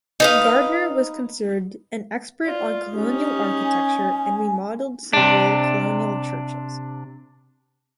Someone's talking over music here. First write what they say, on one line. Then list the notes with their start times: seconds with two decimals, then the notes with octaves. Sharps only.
Gardner was considered an expert on Colonial architecture and remodeled several Colonial churches.
0.20 D#4 B4 F5
2.46 F4 D5
2.93 C#4 D#4 G4
3.62 G#5
5.13 C3 D4